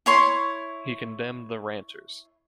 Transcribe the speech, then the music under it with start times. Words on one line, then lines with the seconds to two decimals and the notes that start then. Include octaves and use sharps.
He condemned the Ranters.
0.06 E4 C#5 C6